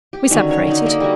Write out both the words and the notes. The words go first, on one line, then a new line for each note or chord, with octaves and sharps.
We separated.
G4
D3 D#3 F#3 C#4
C#5
D3 D4 D#4
A#3 A4 A#4
G3 F#4